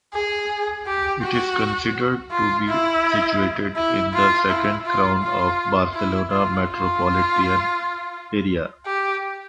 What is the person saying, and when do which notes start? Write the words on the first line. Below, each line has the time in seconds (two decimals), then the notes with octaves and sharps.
It is considered to be situated in the second crown of Barcelona metropolitan area.
0.13 G#4
0.86 G4
1.22 F#4
2.31 F4
2.68 E4
3.76 E4
4.14 F4
4.49 E4
4.85 F4
5.22 F4
5.94 E4
6.31 F4
6.68 F4
8.86 G4